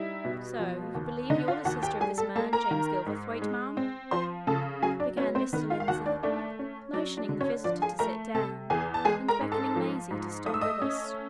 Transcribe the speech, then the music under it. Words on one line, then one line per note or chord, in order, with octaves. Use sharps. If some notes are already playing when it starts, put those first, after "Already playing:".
"So you believe you're the sister of this man James Gilverthwaite, ma'am?" began Mr. Lindsey, motioning the visitor to sit down, and beckoning Maisie to stop with us.
Already playing: G3 D#4 E4 E5
B2
F3
D#2
D3 D#4 D#5
F4 F5
D#2 F#4 F#5
G4 G5
G3 G#4 G#5
A4 A5
A#3 A4 A5
A#4 A#5
D#3
G#2
G#3
C4
F3 C5 C6
C#3 A4 A5
F#3 G#4 G#5
D4 D5
B3 C#4 C#5
C4 C5
D#3 B3 B4
F4 F5
F5
D#2 F#4 F#5
D4 D5
A3 D4 D5
C#4
F#3 D4 D5
D4 D5
D3
C#4 C#5
F3 D4 D5
G#4 G#5
A3 A#4 A#5
C3 A4 A5
E2 G#4 G#5
A5
G#3 G#4 G#5
A#4 A#5
G#2
A4 A5
F3
G#2
A3 D#6
E6
D#5 D#6
C#4